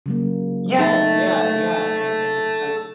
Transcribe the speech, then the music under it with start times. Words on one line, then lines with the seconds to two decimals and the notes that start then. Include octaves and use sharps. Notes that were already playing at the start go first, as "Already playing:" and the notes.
Yes! Yeah, yeah and and it's like
0.06 C#3 F#3 A#3
0.79 D#4 A4 E5